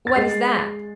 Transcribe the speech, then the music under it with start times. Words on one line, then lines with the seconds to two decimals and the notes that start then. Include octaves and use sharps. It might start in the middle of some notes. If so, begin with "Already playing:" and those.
"What is that?"
0.07 A6
0.16 G#3 C7